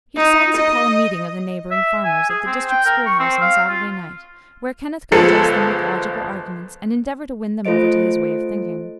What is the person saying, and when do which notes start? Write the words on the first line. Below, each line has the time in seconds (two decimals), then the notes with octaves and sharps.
He decided to call a meeting of the neighboring farmers at the district school-house on Saturday night, where Kenneth could address them with logical arguments and endeavor to win them over to his way of thinking.
0.17 D#4
0.57 D#5
1.71 E5
2.04 G#5
2.29 G#4
2.46 C4
2.69 G5
2.85 A#4
3.06 C#6
3.19 C4
3.41 F5
3.69 F4
5.12 G1 F3 G#3 A4 C#7
7.65 A3 F4 A4 C5 D#5 D7